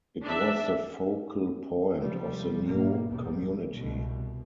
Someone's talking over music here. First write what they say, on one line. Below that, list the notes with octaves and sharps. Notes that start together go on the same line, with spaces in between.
It was the focal point of the new community.
D4 E5
C3 F3 G3
G#1 G#2 B2 A#3
A#1 E2 C3 G3
C2 B2